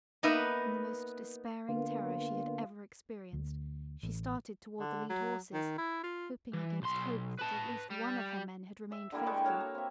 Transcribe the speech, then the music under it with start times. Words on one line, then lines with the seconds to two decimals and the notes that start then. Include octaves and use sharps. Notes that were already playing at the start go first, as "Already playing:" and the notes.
In the most despairing terror she had ever experienced, she started toward the lead horses, hoping against hope that at least one of her men had remained faithful.
0.23 A#3 B3 D#4 B4 E5
1.69 D3 A#3 B3 F4
3.33 D2
4.03 A1
4.80 D3
5.09 F#3
5.54 D#3
5.78 E4
6.03 F4
6.53 E3
6.82 B1 C6
7.39 B4 A5
7.91 G3
8.92 E5
9.12 D3 G3 A#3 E4
9.27 G#3 G5 C#6
9.45 F#4 A4 C#5 F5
9.60 A#3
9.75 C4 E5